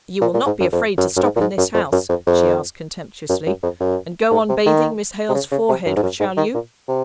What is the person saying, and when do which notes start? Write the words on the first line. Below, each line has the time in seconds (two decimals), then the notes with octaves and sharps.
You will not be afraid to stop in this house,' she asked contemptuously, 'and go on bathing Miss Hale's forehead, shall you?
0.21 A#2
0.34 A#2
0.46 G#2
0.60 F#2
0.72 F2
0.98 F#2
1.16 F#2
1.23 G#2
1.36 A#2
1.41 G#2
1.58 F#2
1.74 F2
1.92 F#2
2.09 F2
2.27 F2
3.29 F#2
3.47 F#2
3.63 F2
3.80 F#2
4.31 G#2
4.49 C3
4.66 D#3
5.29 C3
5.34 C#3
5.52 C#3
5.69 C3
5.86 F#2
5.96 G#2
6.03 F#2
6.19 G#2
6.37 D#3
6.54 A#2
6.88 C3